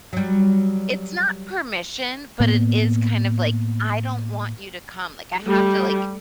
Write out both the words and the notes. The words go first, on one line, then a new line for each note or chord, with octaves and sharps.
"It's not permission, but it is kind of like, I don't want you to come. Like, I have to, like,
F#3 G3
A2 A#3 B3
G3 A3